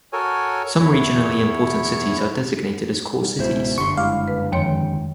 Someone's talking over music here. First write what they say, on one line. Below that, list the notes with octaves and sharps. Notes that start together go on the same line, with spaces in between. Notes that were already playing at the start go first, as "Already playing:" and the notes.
Some regionally important cities are designated as core cities.
F#4 A4 A#4 C#5 G#5
E2 E4 C#5
G3
C#2 G#2 B2 E4 C5
F#1 G2 D3 G3 C6 C#6
G#3 E4 F5 D6
B4
F2 D#3 G#3 C#5 G5 C6